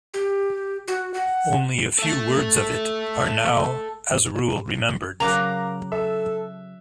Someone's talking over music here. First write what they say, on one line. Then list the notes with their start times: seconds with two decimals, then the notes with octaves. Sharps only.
Only a few words of it are now, as a rule, remembered.
0.14 G4
0.88 F#4
1.14 F#5
1.99 A4 E5
5.20 C#3 F#3 A#4 F5 A#5 D6 F#6
5.92 A4 E5